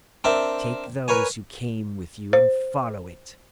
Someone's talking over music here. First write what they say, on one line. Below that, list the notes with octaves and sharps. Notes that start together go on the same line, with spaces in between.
"Take those who came with you and follow it."
C4 D4 A#4 E5 G5
A#4 B4 C#5 G#5
C5